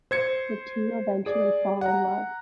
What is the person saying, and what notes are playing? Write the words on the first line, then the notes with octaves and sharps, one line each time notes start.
The two eventually fall in love.
C5 G#6 C#7
G#4 D5
F#5 A#5